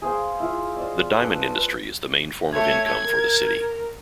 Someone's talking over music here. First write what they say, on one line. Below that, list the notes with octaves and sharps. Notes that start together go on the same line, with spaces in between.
The diamond industry is the main form of income for the city.
G#4 C5 F5 G5
E4 F4
C5 D5 D#5
A4 B4 A5
B4
A3 C#5 G#6
A#4